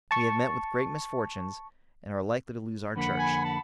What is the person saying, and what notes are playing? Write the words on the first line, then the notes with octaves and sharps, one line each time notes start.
We have met with great misfortunes, and are likely to lose our church.
A5 C#6
F2 D3 A#3 F#5 B5
G#5
A5